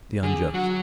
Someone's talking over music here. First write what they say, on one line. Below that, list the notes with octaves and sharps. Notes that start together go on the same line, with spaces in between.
The unjust?
D3 G#4
F#3 F#4